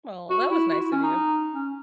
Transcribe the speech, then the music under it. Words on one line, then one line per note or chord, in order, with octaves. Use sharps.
Well, that was nice of you.
F#4
E4
F#4
E4
C#4
D#4
C#4